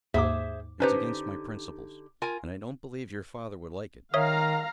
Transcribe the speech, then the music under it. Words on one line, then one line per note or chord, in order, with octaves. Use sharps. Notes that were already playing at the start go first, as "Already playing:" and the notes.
It's against my principles, and I don't believe your father would like it.
D#2 G#2 G#4 C5 E5 D6
D3 C#4 D#4 G4 B4 C5
F4 A#4 G#5
D#3 C#5 E5 F5 A#5 D#6